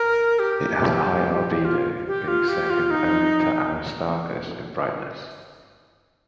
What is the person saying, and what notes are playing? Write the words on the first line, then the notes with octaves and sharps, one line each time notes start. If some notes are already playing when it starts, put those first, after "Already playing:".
It has a high albedo, being second only to Aristarchus in brightness.
Already playing: A#4
G4
F4
G4
F4
G4
F4
D#4